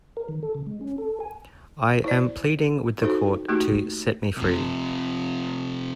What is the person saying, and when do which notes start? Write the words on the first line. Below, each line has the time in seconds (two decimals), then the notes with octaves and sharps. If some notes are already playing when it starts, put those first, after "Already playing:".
I am pleading with the court to set me free.
0.17 A#4
0.29 D#3
0.43 A4
0.55 C#3
0.67 G#3
0.81 C#4
0.98 A4
1.20 G#5
2.04 E4 C5 D5
3.02 D#4 F#4 A4 C5
3.48 A3 A#3 D#4 F#4 G4
4.38 C3 F3